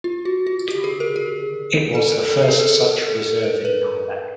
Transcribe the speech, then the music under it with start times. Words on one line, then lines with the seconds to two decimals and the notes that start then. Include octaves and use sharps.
It was the first such reserve in Quebec.
0.04 F4
0.25 F#4
0.47 F#4
0.68 G4
0.84 G#4
1.00 A#4
1.16 G#4
1.95 A4
2.12 A#4
2.28 A4
2.42 G#4
2.59 A4
2.80 A#4
3.02 A4
3.22 A4
3.43 A#4
3.65 B4